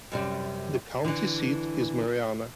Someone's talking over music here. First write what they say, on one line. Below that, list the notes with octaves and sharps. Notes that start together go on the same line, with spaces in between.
The county seat is Marianna.
F#2 C3 G3
D3 E3